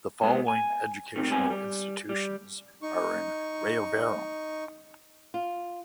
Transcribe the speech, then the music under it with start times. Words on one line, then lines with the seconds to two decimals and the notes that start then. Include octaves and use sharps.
The following educational institutions are in Rayavaram.
0.21 A#2 G#3 B3
0.48 G#5
1.16 D2 C3 D#3
1.30 G#2 G3 B3 C4 G#5
1.50 G3
2.09 G3
2.82 D#4 C#6
5.34 F4